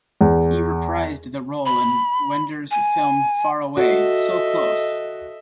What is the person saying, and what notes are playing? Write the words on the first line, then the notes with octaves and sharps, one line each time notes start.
He reprised the role in Wenders' film Faraway, So Close!
E2
B5
G#5
F#4 A4 D#5 E5